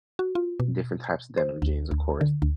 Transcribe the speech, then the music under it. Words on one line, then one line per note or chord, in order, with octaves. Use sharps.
different types of denim jeans, of course.
F#4
F4
B2
C5
D2
D2
D3
D2